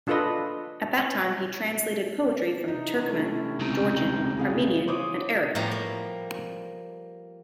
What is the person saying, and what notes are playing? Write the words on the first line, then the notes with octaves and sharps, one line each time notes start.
At that time he translated poetry from Turkmen, Georgian, Armenian and Arabic.
D4 F4 A4 B4 D#5
C3 D#4
C3 C#4 E4
A3 D4
C#2 C3 G3 C#4 D#4
E4 G#4 F5
C#3 C5 C#5 D6 D#6
A2 F3 G3 B3 A#5
A#3